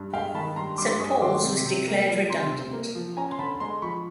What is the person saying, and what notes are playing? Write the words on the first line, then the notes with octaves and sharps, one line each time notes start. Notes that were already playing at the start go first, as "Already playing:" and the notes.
Saint Paul's was declared redundant.
Already playing: G2
G#3 F5 G5
D#3 A5 B5
G2 A#5 C6
G2 C6 D6
G#3 C#6 D#6
D#3 C6 D6
C3
C3
A#3
F3
C3 A#5 C6
C3
A#3
F3
C#4 G#5 A#5
C6
D3 A5 B5
G#3 A#5 C6
F3 B5 C#6